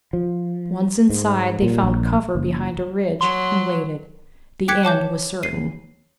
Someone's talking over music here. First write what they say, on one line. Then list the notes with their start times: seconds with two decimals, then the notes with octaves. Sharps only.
Once inside, they found cover behind a ridge and waited. The end was certain.
0.13 F3
1.09 G#2
1.62 A#2
1.83 A#1
2.35 F#1
3.21 F#3 C6
4.68 G5 D6 F#6 G#6 B6 C#7
4.83 C#5 A5 D6 G6
5.43 C7 D#7